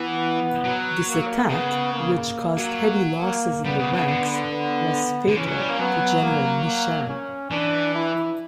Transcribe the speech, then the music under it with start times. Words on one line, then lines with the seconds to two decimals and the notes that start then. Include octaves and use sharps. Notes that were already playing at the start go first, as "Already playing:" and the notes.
This attack, which caused heavy losses in the ranks, was fatal to General Michel.
Already playing: E3 B3
0.64 F#3
1.08 A#3
1.49 C#3 B3
1.93 A#3
2.57 F#3
3.22 A#3
3.65 G3 B3
3.79 C#3
3.93 C#3
4.08 D3
4.50 B3
5.28 D3
5.37 E3 C#4
5.47 F#3
5.58 G3
5.69 A#3
5.79 F#3 B3
6.22 A#3
6.65 A#3
7.09 C#4
7.51 E3 D4
7.94 E4